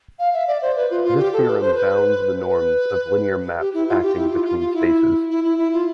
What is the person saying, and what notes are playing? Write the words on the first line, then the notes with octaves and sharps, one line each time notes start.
This theorem bounds the norms of linear maps acting between spaces.
F5
E5
D5
C5
B4
F4
F4
G4
A4
B4
C5
B4
B4
G4
E4
F4
G4
E4
F4
F4
F4
E4
E4
E4
E4
F4